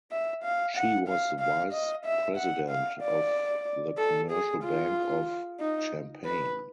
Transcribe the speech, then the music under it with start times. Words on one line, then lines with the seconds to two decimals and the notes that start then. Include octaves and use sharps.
She was vice president of the Commercial Bank of Champaign.
0.11 E5
0.43 F5
0.76 F#5
1.08 F5
1.40 F5
1.73 D#5
2.05 E5
2.37 F#5
2.70 F5
3.02 D5
3.98 A4
4.31 G#4
4.63 F4
5.60 D#4
6.25 B4